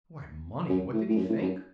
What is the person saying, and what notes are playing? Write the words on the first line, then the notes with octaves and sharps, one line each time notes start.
Why, money; what did he think?
F#2
A2
A2
F#2
A2
F#2